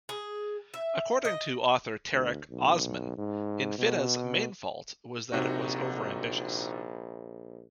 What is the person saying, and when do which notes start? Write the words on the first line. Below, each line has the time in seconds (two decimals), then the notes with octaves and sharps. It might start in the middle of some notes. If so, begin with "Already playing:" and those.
According to author Tarek Osman Infitah's main fault was that it was over ambitious.
0.09 G#4
0.74 E5
1.25 D#5
2.12 D2
2.50 B1
3.18 G#2
3.78 B2
5.32 A#1 C3 D#4 F#4